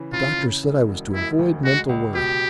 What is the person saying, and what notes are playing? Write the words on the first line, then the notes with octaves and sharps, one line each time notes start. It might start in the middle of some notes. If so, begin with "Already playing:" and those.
The doctor said I was to avoid mental worry.
Already playing: C#3 E3
C#3 F4
C#3
E1
E1
E1 E4
D2
G#3 F#4
C#2
B2 G4